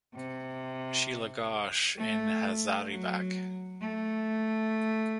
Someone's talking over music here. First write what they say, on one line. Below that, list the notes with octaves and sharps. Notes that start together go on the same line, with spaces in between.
Sheila Ghosh in Hazaribagh.
C3
A3
F#3
A3